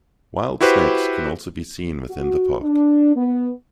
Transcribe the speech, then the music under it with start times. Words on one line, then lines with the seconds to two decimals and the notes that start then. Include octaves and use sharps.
Wild snakes can also be seen within the park.
0.61 E4 F#4 G4 B4 C5
2.10 F#4
2.62 D4
3.16 B3